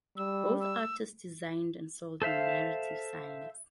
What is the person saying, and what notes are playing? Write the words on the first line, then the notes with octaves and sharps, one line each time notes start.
Both artists designed and sold narrative signs.
G3 E6
E6
A4 C5 E5 F5